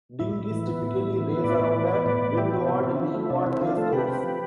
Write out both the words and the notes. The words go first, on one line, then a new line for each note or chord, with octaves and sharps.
Dinghys typically race around a windward-leeward race course.
A2 E4
A2
E3
B3
A2
A2
E3
B3
A2 B4 D5
A2
E3
B3
A2 B4 D5
A2
E3 E4 G4
B3
C3 E4
C4
F3 E4
A3
C3 D4
C4 E4
F3 D4 F4
A3 F4 A4
C3 G4 B4
C4
F3